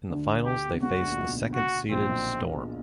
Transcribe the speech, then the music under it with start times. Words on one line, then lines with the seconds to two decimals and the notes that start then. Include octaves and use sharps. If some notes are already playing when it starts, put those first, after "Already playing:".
In the finals they faced the second seeded Storm.
0.10 D2 D3
0.46 G4
0.65 B2
0.74 C3
0.82 C#2 C#3 F#4
1.00 D2 D3
1.10 A#2
1.18 B1 B2
1.54 F#4
1.91 A#1 A#2 C4
2.09 B1 B2